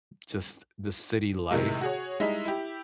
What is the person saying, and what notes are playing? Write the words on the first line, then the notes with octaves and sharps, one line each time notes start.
just the city life,
A2 C3 D#3 G#3
F#4 G#4 C#5
G3 G#3 D#4 E4 E5
E4 G4